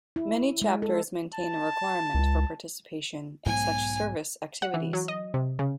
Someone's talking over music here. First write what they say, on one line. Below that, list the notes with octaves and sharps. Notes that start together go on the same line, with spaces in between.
Many chapters maintain a requirement for participation in such service activities.
E4
G#3
A4
A5
C#2
B1 G#2 B3 G#5
F#5
E3
F#3
D#5
C3
C#3